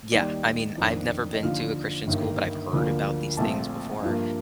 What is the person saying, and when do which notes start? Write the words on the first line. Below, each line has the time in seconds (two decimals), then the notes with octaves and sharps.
yeah, I mean, I've never been to a Christian school, but I've heard about these things before,
0.12 D#2 D#3 G3 D5
0.77 F2 D#3 A#3 D4
1.33 D#5
1.42 D#2 D3 F3 F5
2.07 G1 G2 D#3 A#3
2.73 D2 D3 F3 A#3
3.37 A#1 A#2 A3 C4 A5
4.03 G2 F3 A#3